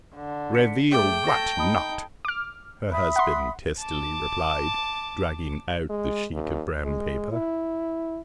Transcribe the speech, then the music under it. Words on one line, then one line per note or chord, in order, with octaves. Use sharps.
"Reveal what not?" her husband testily replied, dragging out the sheet of brown paper.
D3
B6 C#7
A3 G#4 G5 D6
A4 C#6 A#6
D#4 A5 B5 D#6
D6 F6
E5 B5 D#6
F#5 C6
A5 D6
G#3
D#2
G#3
E4